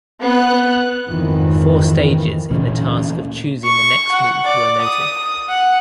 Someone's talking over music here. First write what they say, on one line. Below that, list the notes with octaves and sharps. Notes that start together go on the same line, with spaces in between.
Four stages in the task of choosing the next move were noted.
B3 F#6
G#1 F2 D#3 E3
D2 A#2 E3 C#4
C#6
F#5
D5
D#6
F#5